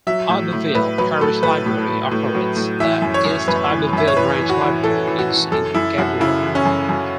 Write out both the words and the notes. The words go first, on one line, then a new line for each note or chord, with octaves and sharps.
Iberville Parish Library operates the East Iberville Branch Library in Saint Gabriel.
F#3 E5
A2
A2
A2 B4
F#3 B4
A2 A4
A2 B4
A2
A2
A2
F#3
A2
E3 E5
F#2
C#5
F#2
F#2 B4
E3
F#2 E5
C#5
E3 B4
E3
F#4
E3
E3 A4
E3
F#4
E3
F#2 A4
F#2 E4
F#2 F#4
C#3 E4
E3
C#4
F#2
F#2